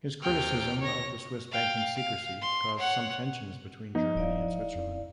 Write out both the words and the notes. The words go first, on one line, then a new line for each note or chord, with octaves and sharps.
His criticism of the Swiss banking secrecy caused some tensions between Germany and Switzerland.
D#2 C3 G5 F6
C#5 A#6
F5 G5
F5
C6
C#5 F#5
F3 B3 D#4
D1 E4 D5 F5
F2